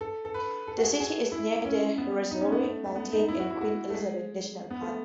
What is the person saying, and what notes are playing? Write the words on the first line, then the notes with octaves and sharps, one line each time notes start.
The city is near the Rwenzori Mountains and Queen Elizabeth National Park.
A4
A4
B4
A4
F#4
G#4
G#4
E4
C#4
B3
D#4
C#4
B3
A3
A3
B3
D#4
E4
F#4
E4
F#4
A3
G#3
B3
A3